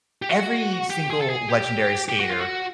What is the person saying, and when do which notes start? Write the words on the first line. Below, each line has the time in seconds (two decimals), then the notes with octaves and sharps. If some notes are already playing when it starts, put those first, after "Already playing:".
every single legendary skater
0.22 G4
0.30 F#4
0.90 G4
1.10 G#4
1.21 A4
1.30 G#4
1.49 G4
2.09 G4
2.20 F#4
2.31 F4
2.41 F#4